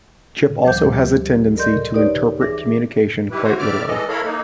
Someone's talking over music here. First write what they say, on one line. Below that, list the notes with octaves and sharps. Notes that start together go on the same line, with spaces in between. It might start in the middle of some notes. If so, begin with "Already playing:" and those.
Chip also has a tendency to interpret communication quite literally.
D2 F3 G3 C5 D6 G6
G4
A4 A#4 D5 D#5 C6 G6
D#4 G4 B4 C#5 D5
E3 G#4 E5 D6 A#6
D#3 G3 E4 G4 B4
F#4 C5 C#5
A2 D5 E5 D6 F6
E3 G#3 A4 D#5
E4 A4 A#4 C#5 F5 B5
A#3 D#4